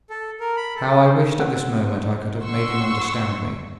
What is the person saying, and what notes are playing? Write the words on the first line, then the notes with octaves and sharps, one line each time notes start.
How I wished at this moment I could have made him understand me.
A4
A#4
B5
A4
C5
C4 F#5
F#5 C6 C#6 E6